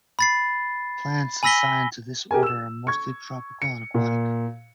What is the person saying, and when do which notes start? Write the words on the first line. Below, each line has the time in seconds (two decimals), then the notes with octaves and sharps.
Plants assigned to this order are mostly tropical or aquatic.
0.19 B5 A6 C7
1.43 G#5 B5 E6 A#6 B6 G7
2.31 G4 G#4 A#4 G#5
2.43 E6 E7
2.87 C#6 G#6
3.62 C#7
3.94 A#2